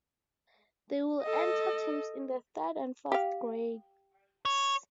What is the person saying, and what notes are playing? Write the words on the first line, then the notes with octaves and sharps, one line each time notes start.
They would enter teams in the third and fourth grades.
A4 D#5
G4 F5
C#5